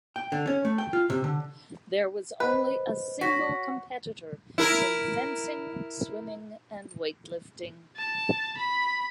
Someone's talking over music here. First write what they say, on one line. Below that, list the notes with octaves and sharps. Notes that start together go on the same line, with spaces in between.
There was only a single competitor in fencing, swimming, and weightlifting.
G5
D3
C#4
A3
G5
F4
C3
D3
B4 C5 D#5
F#4 C#5 A#6 B6
E4 A#4
A5
B5